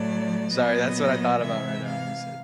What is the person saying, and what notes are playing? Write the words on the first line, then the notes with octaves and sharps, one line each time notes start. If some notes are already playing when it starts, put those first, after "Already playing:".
Sorry, that's what I thought about right now when you said
Already playing: A2 F#3 A3 D5
A#2 F#3 B3 D#5
C3 E3 G#3 E5
F5